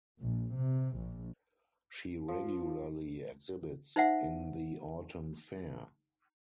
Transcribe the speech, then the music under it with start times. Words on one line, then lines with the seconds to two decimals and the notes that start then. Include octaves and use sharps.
She regularly exhibits in the Autumn Fair.
0.22 A#1
0.56 C3
0.97 A#1
2.28 F3
3.96 D#4 C5 E5 F#5